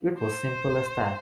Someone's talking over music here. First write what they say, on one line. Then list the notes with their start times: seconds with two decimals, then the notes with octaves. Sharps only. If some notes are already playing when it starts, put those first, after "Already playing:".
It was simple as that.
0.19 C5